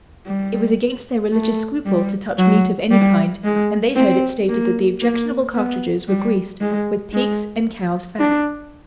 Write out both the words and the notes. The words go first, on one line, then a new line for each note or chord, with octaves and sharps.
It was against their religious scruples to touch meat of any kind, and they heard it stated that the objectionable cartridges were greased with pig's and cow's fat.
G3
A3
G3
F#3
G3
G#3
C4
A#3
A#3
B3
G3
G#3
G#3
D4